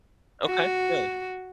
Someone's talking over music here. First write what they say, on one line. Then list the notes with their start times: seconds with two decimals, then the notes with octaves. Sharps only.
Okay. Good.
0.45 F#4